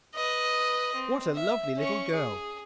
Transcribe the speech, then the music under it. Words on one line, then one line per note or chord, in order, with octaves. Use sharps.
'What a lovely little girl!
B4 D#5
C4
E5
C#4 C#6
G#4